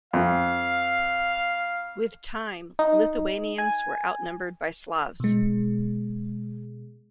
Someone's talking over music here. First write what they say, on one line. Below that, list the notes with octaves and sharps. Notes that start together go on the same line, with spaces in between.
With time Lithuanians were outnumbered by Slavs.
F2 F5
D#4
G#5
B2 G#3